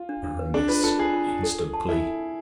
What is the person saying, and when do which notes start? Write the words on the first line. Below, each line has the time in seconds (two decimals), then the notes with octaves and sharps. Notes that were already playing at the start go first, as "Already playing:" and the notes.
Burn this instantly.'
Already playing: F4
0.09 D4
0.24 D4
0.39 B4
0.54 D4 G#4
0.68 F4 B4
0.84 F4 A4
0.99 F4 G#4
1.13 F4
1.28 G#5
1.43 A4
1.59 A4
1.74 A5
1.89 E4 A4